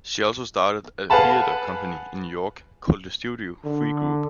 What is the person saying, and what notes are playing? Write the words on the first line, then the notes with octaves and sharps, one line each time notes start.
She also started a theater company in New York called The Studio Three Group.
G#4 B4 F5 F#5 A5 B5
D3